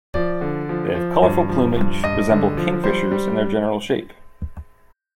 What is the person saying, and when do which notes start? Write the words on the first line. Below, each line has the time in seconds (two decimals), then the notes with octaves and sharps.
They have colourful plumage, resemble kingfishers in their general shape.
0.14 F3 D5
0.41 D3
0.69 F3
0.95 F3
1.23 G2
1.49 F3
1.76 G2
2.04 G2 D#5
2.30 D3
2.57 F3
2.84 G3 C5
3.11 G3